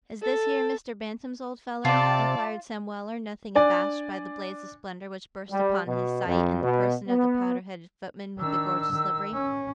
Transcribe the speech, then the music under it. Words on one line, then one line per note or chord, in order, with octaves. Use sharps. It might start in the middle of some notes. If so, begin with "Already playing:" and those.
'Is this here Mr. Bantam's, old feller?' inquired Sam Weller, nothing abashed by the blaze of splendour which burst upon his sight in the person of the powdered-headed footman with the gorgeous livery.
A4
C3 F4 D5 A5
D4 D5 G#5
G3
B2
F2
B2
B3
D#3 D4 E6
D#3
C#4